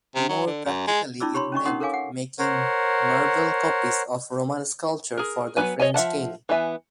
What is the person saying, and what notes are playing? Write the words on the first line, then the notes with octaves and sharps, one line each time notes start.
More practically it meant making marble copies of Roman sculpture for the French king.
C3
F#3
D3
F#2
G#3
C#4 D#4 F4 D5 D6 E6
G4 C#5 B5 C6
C#4 D4 D#5 C#6
C#4 D#4 A#4 F#5 C6 D#6
A4 A#4 C#5 F5 G#5 D6
F#5
A#4 C5 C#5 F#5
G#4 A#4
F#3 B3 E4 B4 G#5
C#5 D#5 G#5
F3 E5 F#5 A5
E3 B3 E5 G#5